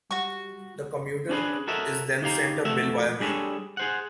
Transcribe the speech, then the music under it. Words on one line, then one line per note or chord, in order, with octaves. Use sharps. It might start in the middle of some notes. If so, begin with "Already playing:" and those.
The commuter is then sent a bill via mail.
G3 F#4 C#6
C#4 D4 G4 G#4 B4
F#4 A4 A#4 C#5 D#5 E5
D#4 G4 F5 A#5
F2 A3 F#4 E5
G3 D4 G#4 A4 C#5
G#4 C5 F#5